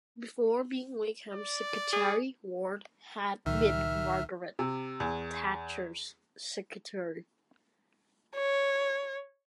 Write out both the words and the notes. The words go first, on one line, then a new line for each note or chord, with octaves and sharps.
Before being Wakeham's secretary, Ward had been Margaret Thatcher's secretary.
D5
G#4
C#2 A#2 D#3 F#3 E5 F6
C3
E2
C#5